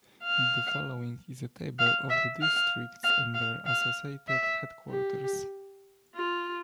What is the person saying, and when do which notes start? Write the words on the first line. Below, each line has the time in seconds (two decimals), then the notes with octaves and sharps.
The following is a table of the districts and their associated headquarters.
0.24 F5
1.79 F5
2.10 E5
2.41 F5
3.04 F5
3.34 F5
3.66 F5
4.28 E5
4.90 G4
6.15 F4